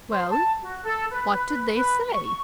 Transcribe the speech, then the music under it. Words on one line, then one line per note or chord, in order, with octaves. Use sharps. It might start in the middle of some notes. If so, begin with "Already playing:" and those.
"Well, what did they say?"
C5
A5
F#4
A4
B4
B4
C#6